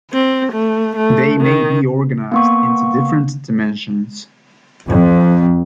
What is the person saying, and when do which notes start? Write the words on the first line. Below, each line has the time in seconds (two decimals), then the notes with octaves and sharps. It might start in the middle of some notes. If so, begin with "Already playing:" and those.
They may be organised into different dimensions.
0.13 C4
0.53 A3
0.96 A3
1.41 D#3
2.32 A#3 B3 C#6
4.86 F2